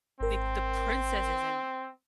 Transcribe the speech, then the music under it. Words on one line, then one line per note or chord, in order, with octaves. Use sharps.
the the princess is in
G#1 C4 A#4